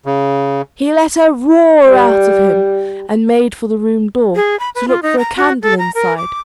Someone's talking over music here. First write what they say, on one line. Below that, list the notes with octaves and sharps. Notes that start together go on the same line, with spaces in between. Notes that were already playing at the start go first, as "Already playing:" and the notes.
He let a roar out of him, and made for the room door, to look for a candle inside.
C#3
G3
G#4
B5
B4
F4
D#4
A#5
F#4
A4
A#5
A#4
D6